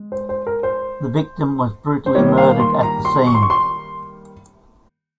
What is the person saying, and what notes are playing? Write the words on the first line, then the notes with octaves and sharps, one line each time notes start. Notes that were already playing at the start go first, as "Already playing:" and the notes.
The victim was brutally murdered at the scene.
Already playing: G#3
C5
C5
A#4
C5
C5
D#3 G3 A#3 C#5
F5
C6
A#5
C6
C#6
C6
C#6
C6